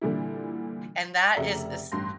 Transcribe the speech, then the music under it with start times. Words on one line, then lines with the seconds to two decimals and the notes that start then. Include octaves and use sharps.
And that is a s
0.01 A#2 D3 E3 G3 D4 E4
1.36 F1 C#3 A3 D5 E5 A#5
1.92 A1 G2 C6 A#6